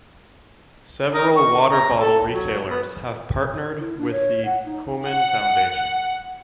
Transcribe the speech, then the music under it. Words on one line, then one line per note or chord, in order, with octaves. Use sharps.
Several water bottle retailers have partnered with the Komen Foundation.
D#4 A#4
C#6
A#5
A4
F#3
B3
E4
D4
C#5
F#5
D#4
F#5